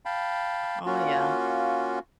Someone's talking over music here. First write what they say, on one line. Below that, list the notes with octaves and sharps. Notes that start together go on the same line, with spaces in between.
Oh, yeah.
F5 G5 A5 B5
A#3 C#4 F4 F#4